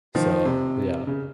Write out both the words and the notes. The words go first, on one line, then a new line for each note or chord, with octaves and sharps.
so yeah.
D#3 F3
C3
C#3